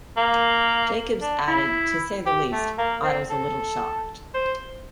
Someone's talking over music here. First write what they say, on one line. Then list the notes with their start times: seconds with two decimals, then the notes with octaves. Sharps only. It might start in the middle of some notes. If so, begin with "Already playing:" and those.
Jacobs added: To say the least, I was a little shocked.
0.16 A#3
1.21 D4
1.47 E4
2.26 G4
2.52 A3
2.78 A#3
3.03 C4
3.30 A4
4.34 C5